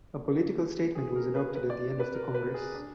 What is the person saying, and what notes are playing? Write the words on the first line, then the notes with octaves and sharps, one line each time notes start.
A political statement was adopted at the end of the congress.
G#4
A#4
B4
B4
D5
B4
A#4
B4
G#4
D4